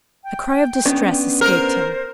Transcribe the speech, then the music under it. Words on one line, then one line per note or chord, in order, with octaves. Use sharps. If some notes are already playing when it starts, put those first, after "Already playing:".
A cry of distress escaped him.
G5
B3 C#4 D4
A#4 C5